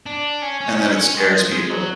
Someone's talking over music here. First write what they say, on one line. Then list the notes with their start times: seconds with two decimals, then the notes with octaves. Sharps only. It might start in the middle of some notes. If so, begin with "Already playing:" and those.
And then it scares people.
0.06 D4
0.42 C#4
0.61 C#4
0.78 C#4
0.91 C#4
1.03 C#4
1.14 G#3
1.34 F3
1.51 G#3
1.70 F#3